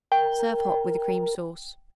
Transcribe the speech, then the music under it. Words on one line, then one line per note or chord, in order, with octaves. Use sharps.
Serve hot with a cream sauce.
A#4 G5